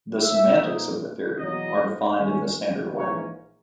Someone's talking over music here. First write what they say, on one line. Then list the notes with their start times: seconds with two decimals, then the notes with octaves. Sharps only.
The semantics of the theory are defined in the standard way.
0.21 E5
0.60 A#2 A#3 D#4
1.38 E2 B2 F#3 A#3 D#5
2.16 D#2 D#3 G#3 C#4
2.94 A#1 G#2 E3 A#3 C#4 C#5